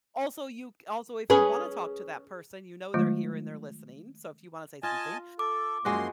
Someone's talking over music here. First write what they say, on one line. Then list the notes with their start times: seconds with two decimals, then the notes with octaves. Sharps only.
also, you c also, if you wanna talk to that person, you know they're here and they're listening, so if you wanna say something,
1.30 C#4 G#4 B4
2.94 D#3 F#3 G#3 A3 F4
4.83 F4 D#5 G#5 A5
5.39 A4 D6
5.85 F#2 F3 G#3 A#3 F#4 C6